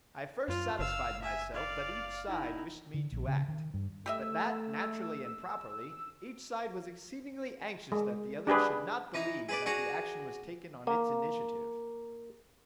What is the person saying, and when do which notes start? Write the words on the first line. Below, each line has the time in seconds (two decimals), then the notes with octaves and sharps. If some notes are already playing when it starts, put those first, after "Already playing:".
I first satisfied myself that each side wished me to act, but that, naturally and properly, each side was exceedingly anxious that the other should not believe that the action was taken on its initiative.
0.48 F#2 F4
0.79 F#1 F5 E6
1.22 E5 G#5
1.53 D5 F5
2.28 D#4 E4
2.94 D3
3.12 A#1
3.27 C#3
3.48 D#3
3.74 G2
4.06 A3 G4 D#5 E5 E6
7.92 G#3
8.47 D4 G4 G#4 B4
9.14 E3 D#4 A#5
9.49 G#4 B4 D5
9.66 D4 F#4 G#4 G#5 A#5
10.87 A#3 A#5 D6